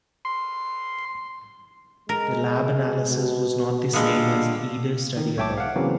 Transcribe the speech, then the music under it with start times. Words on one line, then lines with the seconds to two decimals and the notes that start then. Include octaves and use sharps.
Their lab analysis was not the same as either study above.
0.25 C6
2.09 G#3 A#4
3.10 B2
3.93 A#2 D3 G3 G#3 B3 F5
5.17 D#3
5.37 B1 C#5 E5 G5 A5 D6
5.58 F5 F#5
5.75 C#3 E3 F#3 A#3 C4